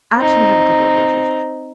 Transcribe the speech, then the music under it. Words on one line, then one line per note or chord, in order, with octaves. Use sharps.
I actually have a couple of approaches.
C4 D#4